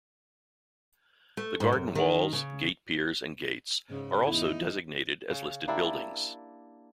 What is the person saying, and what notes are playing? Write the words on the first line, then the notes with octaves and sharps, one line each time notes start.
The garden walls, gate piers and gates are also designated as listed buildings.
A3
G#2
F#2
D#3
C#3
G#2 C#3
E2 D#4 E4
C#3
A#3 D4 E4 G4